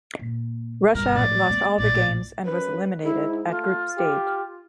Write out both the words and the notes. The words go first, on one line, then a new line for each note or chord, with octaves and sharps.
Russia lost all the games and was eliminated at group stage.
A#2
G1 B2 A#4
A2 F3 D5
A3 B3
A#1 A2 D5
F#2 B4
G#2 E4
A3 F4
G4